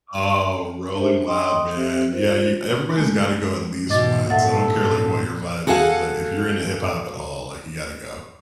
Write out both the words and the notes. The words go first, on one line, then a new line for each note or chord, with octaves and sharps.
Oh, Rolling Loud, man, yeah, you everybody's gotta go at least once, I don't care, like, what your vibe is, like, if you're into hip hop at all, like, you gotta go.
D4 G4 A#4 C5 E5
D#5 G5 C6 D#6
C4 G4 E5
F4 A#4 C5
G#3 A3
G#2 B2 D#5 D6 A6
A#2 A4 E5 F#5 A6
F#4 G#4 A4 F5 F#5